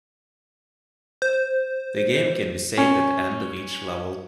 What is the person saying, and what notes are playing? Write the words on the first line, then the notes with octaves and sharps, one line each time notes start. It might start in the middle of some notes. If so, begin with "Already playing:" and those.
The game can be saved at the end of each level.
C5
C#4